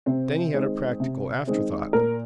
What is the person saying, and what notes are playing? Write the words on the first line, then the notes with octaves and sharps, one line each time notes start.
Then he had a practical afterthought.
C3 C4 C5
D#3 G#3 C4
C3
D#3 G#3 C4
A#2 A#4